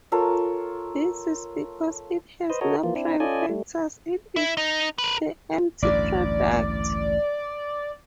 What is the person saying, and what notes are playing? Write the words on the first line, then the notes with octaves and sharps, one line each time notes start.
This is because it has no prime factors; it is the empty product.
F4 A4 A#4 C#5
B4 C5 D#5
F#4 A4 A#4 C#5 D#5
E3 F3 A#3 F4
C4 D4 E4
C#4 F4 A4 D5 D#5 G#5
G3 A3
E4
D#4
A#4 B4
A1 D2 G2 D5